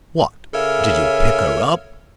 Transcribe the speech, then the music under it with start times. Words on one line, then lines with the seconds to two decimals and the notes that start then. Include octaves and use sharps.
"What! did you pick her up?"
0.53 C#3 A4 A#4 C#5 E5 F5